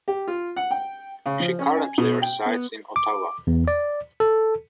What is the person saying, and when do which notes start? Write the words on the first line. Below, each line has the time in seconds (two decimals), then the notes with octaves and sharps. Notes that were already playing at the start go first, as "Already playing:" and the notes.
She currently resides in Ottawa.
0.08 G4
0.28 F4
0.56 F#5
0.71 G5
1.26 C#3
1.40 F3
1.59 C#4
1.77 G#5
1.98 B2
2.22 G5
2.46 B3
2.96 D6
3.47 E2
3.68 D5
4.20 A4